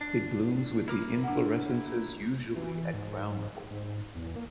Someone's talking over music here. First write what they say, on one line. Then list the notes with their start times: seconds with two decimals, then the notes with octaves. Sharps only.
It blooms with the inflorescences usually at ground level.
0.01 D4
0.88 E4 A#4 D6
1.24 D4 F#5
2.55 E3
2.94 G#2
3.71 G#2
4.15 E2
4.36 A#3